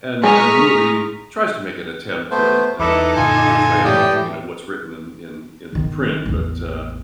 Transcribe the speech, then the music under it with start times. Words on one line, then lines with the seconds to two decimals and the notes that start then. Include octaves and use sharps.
and and the movie tries to make an attempt to, um, portray, you know, what's written in in in the print, but, uh,
0.24 G#3 G#4 A#5 C#6 D#6 F6 B6
2.31 A3 B3 C5
2.79 E2 D#4 E4 A4 B4 D6
3.16 F#2 A#2 D3 F4 G#5
3.85 A2 E3 G4 D5 G5 D#6
5.73 G1 D#3
6.26 A1 E2